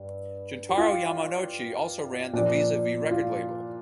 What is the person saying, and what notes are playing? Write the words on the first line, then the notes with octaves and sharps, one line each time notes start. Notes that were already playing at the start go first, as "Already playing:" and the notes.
Juntaro Yamanouchi also ran the Vis a Vis record label.
Already playing: G2 G3
G4
F4
A#2 F3 D4
F4